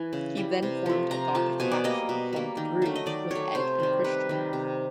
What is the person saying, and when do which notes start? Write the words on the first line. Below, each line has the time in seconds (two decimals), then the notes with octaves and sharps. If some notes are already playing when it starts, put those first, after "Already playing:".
He then formed a gothic faction, called The Brood, with Edge and Christian.
Already playing: E3 G#5
0.13 C#3
0.37 E3 G3
0.63 C3
0.86 F3 A3
1.11 C3 A#5
1.35 F3 A3 A5
1.60 B2 G#5
1.71 D5
1.84 G3 A#3 D#5
2.09 B2
2.33 G3 A#3
2.57 D#3
2.82 F#3 A3
2.96 D#5
3.06 D#3 D5
3.30 F#3 A3 C#5
3.55 C3 C5
3.80 D#3 G3
4.04 C3 B4
4.29 D#3 G3
4.53 C3